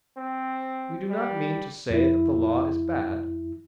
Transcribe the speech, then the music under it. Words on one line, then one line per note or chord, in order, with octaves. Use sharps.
We do not mean to say that the Law is bad.
C4
G3
F2 E4